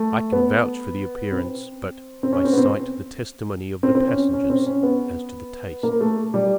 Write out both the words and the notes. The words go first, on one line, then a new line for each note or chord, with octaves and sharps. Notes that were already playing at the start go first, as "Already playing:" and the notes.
I can vouch for the appearance, but I cite the testimony of the passengers as to the taste.
Already playing: A3
B3
C4
C4
C#4
C4
B3
C4
C4
C4
C#4
C#4
C4
C#4
B3
A#3
A3
G3